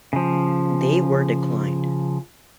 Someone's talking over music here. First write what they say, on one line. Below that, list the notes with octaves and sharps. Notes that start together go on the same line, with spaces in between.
They were declined.
C#3 F3